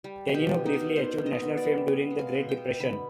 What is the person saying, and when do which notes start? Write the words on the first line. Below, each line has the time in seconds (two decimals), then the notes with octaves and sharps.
Tenino briefly achieved national fame during the Great Depression.
0.04 G3
0.27 B2
0.34 G4
0.50 B2
0.66 D#4
0.73 B2
0.96 B3 C5
1.19 D#3
1.26 D#5
1.42 B3
1.57 D5
1.65 G3
1.88 B3
2.11 G#3
2.19 F5
2.35 B2
2.49 G5
2.57 B2
2.79 D3 B5